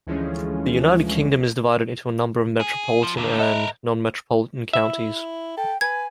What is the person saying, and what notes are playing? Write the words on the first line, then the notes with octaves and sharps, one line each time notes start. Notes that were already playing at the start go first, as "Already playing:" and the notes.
The United Kingdom is divided into a number of metropolitan and non-metropolitan counties.
D2 E3 F3 G#3 A3 C#4
G#4
F3
D#2 D3
A4 A#4 D#5 E5 F#6
E4 E5
A4 G5
B4 G#5 G#6